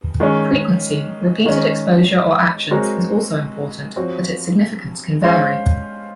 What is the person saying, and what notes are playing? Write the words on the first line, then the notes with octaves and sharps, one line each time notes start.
Frequency, repeated exposure or actions, is also important, but its significance can vary.
D#3 G#3 C#4
D#3 G#3 C#4
G#3 C4 F#4 A#4 C#5
F3 C4 F#4 C#5
G#3 C#4 F4 C5 F5